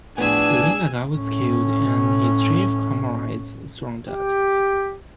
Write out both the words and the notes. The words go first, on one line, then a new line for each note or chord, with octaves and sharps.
Yorinaga was killed and his chief comrades surrendered.
A2 F3 B3 D4 G#4 G#5 E6
A2 C#4
G4